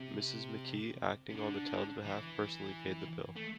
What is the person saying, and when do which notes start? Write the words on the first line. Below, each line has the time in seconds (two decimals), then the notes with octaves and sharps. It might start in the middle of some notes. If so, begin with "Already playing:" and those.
Mrs. McKie, acting on the town's behalf, personally paid the bill.
Already playing: C3
1.29 C3
1.34 D3
2.05 E3
3.36 A3